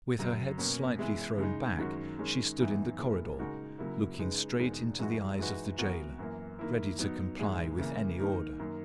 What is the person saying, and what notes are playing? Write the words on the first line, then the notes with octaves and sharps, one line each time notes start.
With her head slightly thrown back, she stood in the corridor, looking straight into the eyes of the jailer, ready to comply with any order.
F#2 C#3 F#3
B2 A#3 C#4
E3 G#3 B3 E4
C#3 G#3 D#4
F#2 D#3 G#3 C#4 F#4
D#3 G#3 C#4
F#2 E3 B3 D#4
A#2 A#3 E4 G#4 B4
C#3 G#3 D#4 F#4 A#4
C#3 F#3 A#3 E4 A#4
C#3 G#3 D#4 G#4 B4
E2 B2 G#3 D#4 A#4
F#2 E3 G#3 D#4 F#4
E3 G#3 D#4 F#4 B4
E3 B3 F#4 A#4
F#2 E3 A#3
D#3 A#3 E4
F#3 B3 D#4
G#2 E3 G#3 D#4
C#3 E3 A#3
D#3 A#3 D#4 A#4
F#2 D#3 A#3